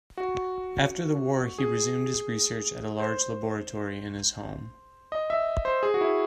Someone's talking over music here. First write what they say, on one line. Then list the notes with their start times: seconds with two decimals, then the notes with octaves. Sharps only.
After the war, he resumed his research at a large laboratory in his home.
0.17 F#4
1.58 G#4
2.99 C5
5.12 D#5
5.30 E5
5.65 C5
5.83 G#4
5.94 F#4
6.01 E4